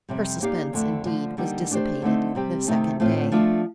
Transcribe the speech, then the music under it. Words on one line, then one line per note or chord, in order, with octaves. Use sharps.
Her suspense indeed was dissipated the second day.
F2 C3 G3
A#3 D#4 G4 D5 F5
F2 D3 A3 D4
D3 F3 A3
D3 G3 A#3 D#4
A3 D4 G4 C5
D3 A3 C4 D#4
C3 G3 C4 G4
C3 D#3 A3 D#4
A2 A3 C4 F4 C5
F3 A3 D4 F4